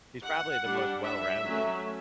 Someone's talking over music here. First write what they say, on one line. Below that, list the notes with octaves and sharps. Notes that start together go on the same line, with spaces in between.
He's probably the most well-rounded
F#5
G3 D4
E5
F#3 A3 C#4